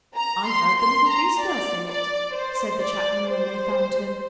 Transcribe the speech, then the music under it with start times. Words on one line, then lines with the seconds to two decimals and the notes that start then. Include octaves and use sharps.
"I heard the little goose-girl sing it," said the chapman when they found him.
0.16 A#5
0.47 C6
0.78 C6
1.09 A#5
1.40 D5
1.87 D5
2.34 C5
2.81 D5
3.28 C5